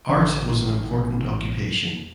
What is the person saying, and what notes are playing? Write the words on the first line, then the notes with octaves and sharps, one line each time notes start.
Art was an important occupation.
A1 D3